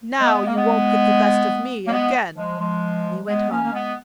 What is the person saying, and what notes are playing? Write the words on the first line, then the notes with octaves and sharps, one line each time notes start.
'Now you won't get the best of me again!' And he went home.
G#3 B3
G#3
A#3
G#3 B3
A#3
G#3 B3
F3 G#3
F3 G#3
G#3 B3
A#3 C#4
A#3
G#3 B3